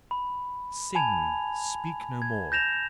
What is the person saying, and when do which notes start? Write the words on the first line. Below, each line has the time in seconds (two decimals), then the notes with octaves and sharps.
Sing! speak no more!
0.11 B5
0.95 G#5 A5 B5 G#6 F7
2.22 G#6
2.52 G6 A#6 E7 F7